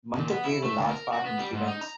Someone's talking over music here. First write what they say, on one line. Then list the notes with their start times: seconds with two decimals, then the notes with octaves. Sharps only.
Bunter plays a large part in the events.
0.17 A#2
0.30 B3
0.45 E4
0.64 A3
0.78 D2
0.91 A#4
1.12 F#4
1.25 B3
1.39 G3
1.53 G#2
1.67 D#4
1.81 A#5